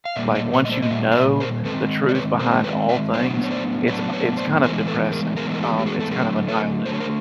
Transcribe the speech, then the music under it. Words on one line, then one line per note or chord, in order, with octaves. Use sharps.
like, once you know the truth behind all things, it's a it's kind of depressing, um, it's kind of a nihilistic
F5
A#2 G3 A#3 D5 E5
C#5 D#5
B4 C#5
D#5
C5 D5
D#5
A#2 G3 E5
F5
D5 E5
A#4 C5
D#3 G#3 C4 A4 B4
D5
B4 C#5
D#3 G#3 C4 A#4 C5
B4 C#5
D5 E5
A2 F#3 B3 D4 C5 D5
C#5
C5 D5
A2 F#3 B3 D4 B4 C#5
B4 C#5
C5 D5
A2 E3 G#3 B3 D#4 A#4 C5
A4 B4
G#4 A#4
A2 E3 G#3 B3 D#4 G#4 A#4
A#4
G4 A4
G4
F#4 G#4
A4
D3 F#3 A3 G#4 A#4
A4 B4
D3 F#3 A3 C5
C#5
A#4 C5